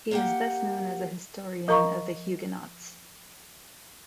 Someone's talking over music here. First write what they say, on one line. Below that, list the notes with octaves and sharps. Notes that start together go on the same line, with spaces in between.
He is best known as a historian of the Huguenots.
A#3 G4 F#5
F3 A#4 F5 A#5 C#6